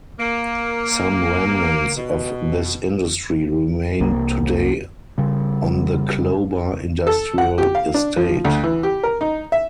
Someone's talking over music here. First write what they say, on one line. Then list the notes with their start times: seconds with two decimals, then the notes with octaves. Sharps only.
Some remnants of this industry remain today on the Clober Industrial Estate.
0.19 A#3
1.97 B2
4.00 C2 A#3
5.18 C#3 G3
7.07 A4
7.38 F#5
7.58 G4
7.75 F5
7.94 D4
8.17 F3
8.45 D2
8.64 E3
8.83 G4
9.03 A#4
9.21 D#4
9.52 E5